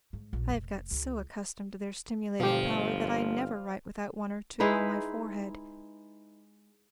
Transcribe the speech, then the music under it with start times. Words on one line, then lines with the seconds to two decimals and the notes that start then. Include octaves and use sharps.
I have got so accustomed to their stimulating power that I never write without one or two on my forehead.
0.13 G#2
0.33 A#1
0.50 F1
0.91 C#2
2.40 G1 B2 F3 G4
4.60 G#3 D#4 E4 B4